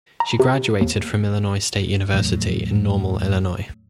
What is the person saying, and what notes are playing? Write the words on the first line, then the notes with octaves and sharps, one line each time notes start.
She graduated from Illinois State University in Normal, Illinois.
A#5
C3
D#2
E2 A2 C#3 F#3